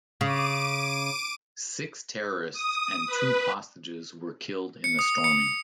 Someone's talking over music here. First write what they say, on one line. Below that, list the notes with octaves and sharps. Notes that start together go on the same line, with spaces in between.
Six terrorists and two hostages were killed in the storming.
C#3 D6 D7 D#7
D#6
B4
C#7
D#6
C#7